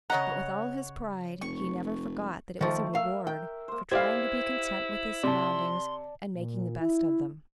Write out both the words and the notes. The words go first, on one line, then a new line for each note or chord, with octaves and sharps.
But with all his pride he never forgot that it was a reward for trying to be content with his surroundings and making the best of them.
C#3 C#5 D#5 F#5 A#5
F1 C#6
D#3 F3 A3
A#4 E5 F5
G5
A#3 C5
E4 G4 C5 D5 F5 G#6
C3 D5 A5 C6
A#2
E4